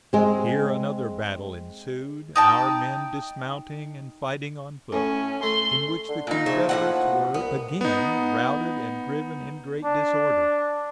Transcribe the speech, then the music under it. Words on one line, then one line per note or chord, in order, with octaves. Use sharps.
Here another battle ensued, our men dismounting and fighting on foot, in which the Confederates were again routed and driven in great disorder.
G#3 C4
D#4 G5 A5
A2 C#4
A3 C6
D3
A#2 D#4
C#3 F3 E5
A2 C4 F#5
C2 B3
B3 D#4
D4